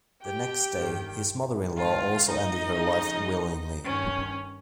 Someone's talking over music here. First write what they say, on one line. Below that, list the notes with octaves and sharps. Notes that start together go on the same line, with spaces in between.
The next day, his mother-in-law also ended her life willingly.
G4 G5
G2 D#3
G#2 D#3 F4 F5
D#4 D#5
F2 C#3
G2 D#3 C#4 C#5